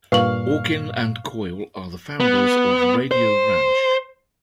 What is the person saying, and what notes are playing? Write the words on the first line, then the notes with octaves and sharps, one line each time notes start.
Orkin and Coyle are the founders of Radio Ranch.
G2 A#2 B4 F5 C#6 F6 F#7
B3
C5